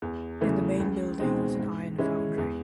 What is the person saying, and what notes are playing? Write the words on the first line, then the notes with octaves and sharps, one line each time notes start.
In the main building was an iron foundry.
E2
C#3 E3 A3
C#2
B2 G#3 C4 D#4
G#2
E3 G#3 C#4 E4
E2